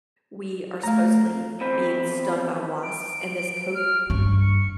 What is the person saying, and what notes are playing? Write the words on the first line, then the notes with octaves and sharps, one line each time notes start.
we are supposedly being stung by wasps, and this poker
A3 F5 A#5
E2 F3 C4 B5
D7
F6
G2 C#6
C#7